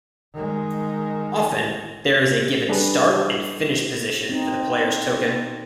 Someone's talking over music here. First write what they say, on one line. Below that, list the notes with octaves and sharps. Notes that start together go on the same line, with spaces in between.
Often there is a given start and finish position for the player's token.
D#3 G#3
G3 D4 G#4 A4 B4
C4 D#4